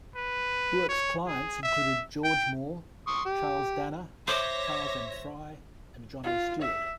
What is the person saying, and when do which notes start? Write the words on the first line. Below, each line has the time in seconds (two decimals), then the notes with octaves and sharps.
Buek's clients included George Moore, Charles Dana, Charles M. Fry and John A. Stewart.
0.16 B4
0.89 C#5
1.27 G#4
1.63 E5
2.24 G5
3.07 C6 C#6 D#6
3.26 G4
4.28 C5 C#5 E5 D6 A#6
6.24 F4
6.61 E5